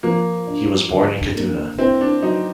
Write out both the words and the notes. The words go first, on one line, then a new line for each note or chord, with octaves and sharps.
He was born in Kaduna.
F3 A#3
D4
D3
A#3
C4 E4
D4
F#3 D#4